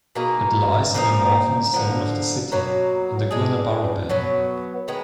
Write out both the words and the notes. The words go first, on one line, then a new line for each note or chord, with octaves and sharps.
It lies in the northern zone of the city, in the Guanabara Bay.
B2 A#3 D#4 G#4
A#2 F3 A#3 D#4
D3 F3 A#3
B2 F#3 A#3
G#3 D4 G#4
B2 F#3 B3
D#3 G#3 B3